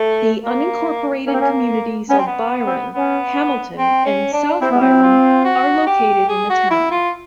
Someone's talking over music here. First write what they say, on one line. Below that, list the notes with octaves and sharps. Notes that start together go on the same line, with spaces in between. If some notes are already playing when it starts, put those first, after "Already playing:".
The unincorporated communities of Byron, Hamilton, and South Byron are located in the town.
Already playing: A3
A#3
A#3 C#4
C4
C#4
B3 C#4
C4
B3
C4
B3 C#4
C4
C#4
D4
C4 E4
B3
C4
F4
F#4
G4
G#4
F#4
E4
F4